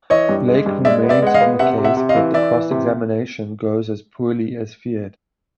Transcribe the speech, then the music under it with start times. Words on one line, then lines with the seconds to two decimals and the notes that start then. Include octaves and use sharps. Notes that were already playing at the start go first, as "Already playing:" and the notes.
Blake remains on the case, but the cross-examination goes as poorly as feared.
0.10 E3 C#5 D#5
0.29 G2
0.48 G#3
0.66 G2
0.85 G#3 D5 E5
1.03 B3
1.09 D5 E5
1.22 G#3 F#5
1.34 D#5 F5
1.41 B3
1.59 C3 E5 F#5
1.78 C3
1.84 E5 F#5
1.97 C3
2.09 D#5 F5
2.15 E3
2.34 E3 D5 E5
2.52 E3
2.71 C3